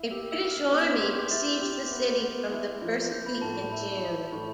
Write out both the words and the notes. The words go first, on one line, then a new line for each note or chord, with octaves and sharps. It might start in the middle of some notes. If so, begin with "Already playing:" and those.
A British army besieged the city from the first week in June.
Already playing: E4
G4 E6
E6
E4
F6
B3 D6
C6
G4
G6
E4 A6
G6
A6
G4
B3
B3
E4
F3
F3 G6
B5
A2 A5
B5
E4 B5
E4 B5
A2 B5